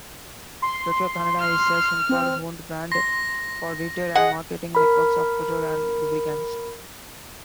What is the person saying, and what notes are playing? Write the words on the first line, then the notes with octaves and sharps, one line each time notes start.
Petro-Canada is a Suncor-owned brand for retail and marketing networks of petrol and lubricants.
C6
F6
C4
C6 A#6
G#4 D#5 F#5
A#4 B5